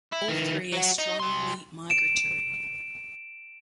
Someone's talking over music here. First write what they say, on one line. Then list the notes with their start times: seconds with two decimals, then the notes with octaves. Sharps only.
All three are strongly migratory.
0.13 E4
0.28 D#3 E3
0.72 F#3 F#4
0.98 D#4
1.20 G3 C6
1.90 D7 E7